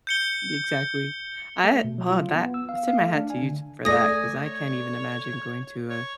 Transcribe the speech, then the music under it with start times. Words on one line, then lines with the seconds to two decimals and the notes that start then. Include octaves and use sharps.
Exactly. I uh, oh, that. I send my hat to you t for that 'cause I can't even imagine going to a
0.07 G6 C#7 G7
1.64 A3
1.84 B2
1.98 F#3
2.10 F4
2.36 B3
2.54 E6
2.69 F5
2.87 F5
3.01 A3
3.15 D4
3.30 G#5
3.42 D3
3.85 A3 D5 G#5 D#6 A#6
4.44 C#5
5.90 C#5